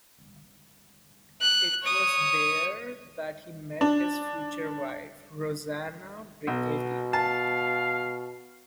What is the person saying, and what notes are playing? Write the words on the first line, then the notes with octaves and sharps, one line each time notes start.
It was there that he met his future wife, Rosanna Brichetti.
F#6
C#5 D#6
D4
B1 B2
F5 A5